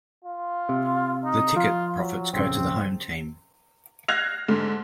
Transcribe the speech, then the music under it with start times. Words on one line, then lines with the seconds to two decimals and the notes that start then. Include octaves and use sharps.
The ticket profits go to the home team.
0.24 F4
0.69 C3
1.24 D#4
1.56 F3 F4
1.98 F#3
2.33 A#1 F2 C#3 C4
4.08 F6 F#6 G#6 A#6 C7 F7
4.48 G#2 D3